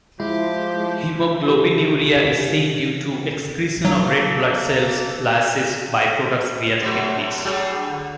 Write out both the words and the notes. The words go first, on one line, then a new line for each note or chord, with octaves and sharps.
Hemoglobinuria is seen due to excretion of red-blood-cell lysis byproducts via the kidneys.
F3 G#3 E4 G4
C2 E3 D4 D#4 G4 C6
F#3 A#3 A4
B2 F#3 A3
D4
F#3 G3 G#4
D3